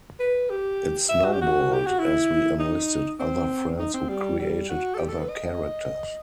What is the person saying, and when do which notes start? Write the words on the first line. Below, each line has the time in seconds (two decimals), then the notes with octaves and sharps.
It snowballed as we enlisted other friends who created other characters.
0.20 B4
0.50 G4
1.09 E5
1.25 F#4
1.33 G4
1.41 F#4
1.73 G4
1.86 F#4
1.99 E4
2.60 D#4
3.20 C4
3.79 D#4
3.94 C4
4.09 G3
4.39 G3
4.70 F#4
4.94 A4
4.99 G4
5.09 A4
5.19 B4
5.29 D#5